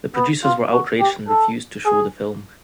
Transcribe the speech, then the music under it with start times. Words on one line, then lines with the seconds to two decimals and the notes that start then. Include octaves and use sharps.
The producers were outraged and refused to show the film.
0.16 B3
0.44 F4
0.72 F#4
1.00 G4
1.28 A4
1.85 G#4